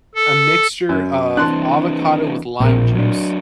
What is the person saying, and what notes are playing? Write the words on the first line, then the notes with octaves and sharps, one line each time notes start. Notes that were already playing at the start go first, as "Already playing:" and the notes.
a mixture of avocado with lime juice.
A4
F#2
E3 C4 D4 A5 C6 F#6
A#1 A#2 C4 A#4
F#3 D4